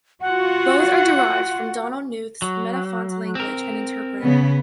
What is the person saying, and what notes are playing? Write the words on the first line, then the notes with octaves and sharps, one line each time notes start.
Both are derived from Donald Knuth's Metafont language and interpreter.
F4 F#4 F#5
F#3
C4 A#4
C#3 B3